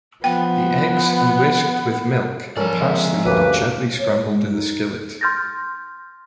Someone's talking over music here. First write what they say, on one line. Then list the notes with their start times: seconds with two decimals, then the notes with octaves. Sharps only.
The eggs and whisked with milk and parsley and gently scrambled in the skillet.
0.24 F3 B3 G5
2.57 F3 F#3 C#4 A4 A#4 D5
2.81 G#3 C4 E5
3.26 D2 G2 A#3 C#4 B4
3.39 A#3 C#4 D6
4.00 C#5
4.30 G#3
4.51 D#4
5.21 C6 F6 G6 A6 A#6